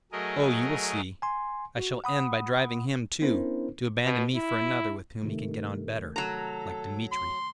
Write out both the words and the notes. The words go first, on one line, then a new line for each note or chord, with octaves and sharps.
Oh, you will see, I shall end by driving him, too, to abandon me for another with whom he can get on better, like Dmitri.
F#3 A3 G#4 A#4 D#5
G#5 C6
F#4
F#5 B5 D#6
B3 C#4 D4 E4 A#4 C5
B2
E4
C3 D#3 A3
F#3 A4 A#5
C6